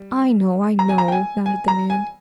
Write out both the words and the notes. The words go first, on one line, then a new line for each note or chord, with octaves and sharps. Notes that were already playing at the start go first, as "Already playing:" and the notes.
"I know, I know," nodded the man.
Already playing: G3
A#5
G#5
A#5
G5
G#5
G#5
A#5
G#5